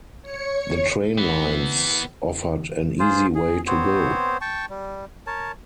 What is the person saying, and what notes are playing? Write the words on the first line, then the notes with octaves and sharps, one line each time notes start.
The train lines offered an easy way to go.
C#5 C#7
E3 B3
F4 G#4 C5
G#4
B3 C4 C5 C#5
G5 A5 C#6
G3
A#4 C#5 A5